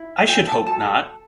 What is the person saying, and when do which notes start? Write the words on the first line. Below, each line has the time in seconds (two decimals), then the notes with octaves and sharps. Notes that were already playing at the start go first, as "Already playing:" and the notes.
I should hope not!
Already playing: E4
0.28 A4 G5
0.47 A5
0.66 A4 A5